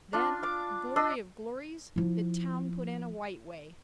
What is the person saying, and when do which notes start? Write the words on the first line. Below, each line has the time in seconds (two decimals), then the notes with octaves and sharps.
Then, glory of glories, the town put in a White Way.
0.13 D4 F4
0.43 F5 D6
0.96 D4 D#5 E6
1.96 F3 E4